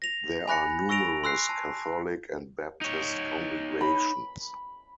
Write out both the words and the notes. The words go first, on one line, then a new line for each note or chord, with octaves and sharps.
There are numerous Catholic and Baptist congregations.
A#6 F7
G#5 B5 F#6 A#6 C#7
C#6 E6 A#6 D7 F7
C6 E6 F#6 C7
A5
D#4 C#5
B5